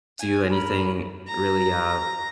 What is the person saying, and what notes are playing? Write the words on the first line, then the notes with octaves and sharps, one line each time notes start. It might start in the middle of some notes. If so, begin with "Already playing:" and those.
do anything really, uh,
G#5
A#4 B5
A#5